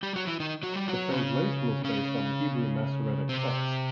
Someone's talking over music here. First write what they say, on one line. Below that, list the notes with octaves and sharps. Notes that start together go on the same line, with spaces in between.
The translation is based on the Hebrew Masoretic text.
G3 G4
F#3 F#4
E3 E4
D#3 D#4
F#3 F#4
G3 G4
F#3 F#4
C#3 C#4
C#3 C#4
C3 C4